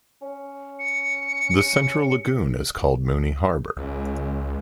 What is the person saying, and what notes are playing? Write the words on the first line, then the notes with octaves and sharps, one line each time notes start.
The central lagoon is called Mooney Harbor.
C#4
C#7
C#2